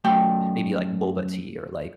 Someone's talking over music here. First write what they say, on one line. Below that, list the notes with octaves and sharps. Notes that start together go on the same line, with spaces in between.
maybe, like, boba tea or, like,
F#2 A3 G5